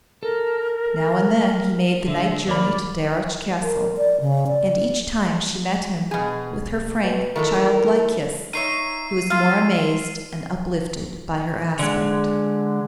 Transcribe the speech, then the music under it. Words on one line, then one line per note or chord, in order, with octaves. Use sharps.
Now and then he made the night journey to Darreuch Castle and each time she met him with her frank childlike kiss he was more amazed and uplifted by her aspect.
A4 A#4
D3 E5
D#2 A#4 D5 B5
A#4
D5
C#3
D5
B2 G#4
B2
D#3 E3 A4 A#4
D#4 C#5 E5 C7 D#7
F4 A4 F5
D3 G#3